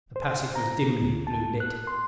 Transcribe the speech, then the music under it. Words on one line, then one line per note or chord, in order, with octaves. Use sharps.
The passage was dimly blue lit.
C5
A#5
D2
A5
F#6
C6